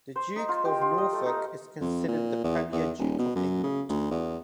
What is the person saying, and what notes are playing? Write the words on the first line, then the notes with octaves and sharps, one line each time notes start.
The Duke of Norfolk is considered the Premier Duke of England.
C5
D#4
F4
G4
F4
D#5
A3
D#4
F2
A#2
E2
E2
D#1
B2
F#2
C#3
D2
E2